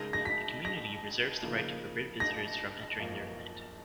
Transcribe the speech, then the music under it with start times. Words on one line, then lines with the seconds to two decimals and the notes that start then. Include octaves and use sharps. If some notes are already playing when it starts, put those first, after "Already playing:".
The community reserves the right to forbid visitors from entering their land.
Already playing: C#3 G#3 D#4 A#4 A#6
0.13 A#6
0.25 B6
0.65 A#6
1.42 C#3 F3 A#3 D#4
2.20 A#6
2.98 F#2 F3 A#3 F4